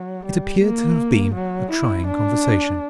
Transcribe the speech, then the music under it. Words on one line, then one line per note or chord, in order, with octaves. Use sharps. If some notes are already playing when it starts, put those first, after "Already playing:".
It appeared to have been a trying conversation.
Already playing: F#3
G3
A#3
F#3
E4
D4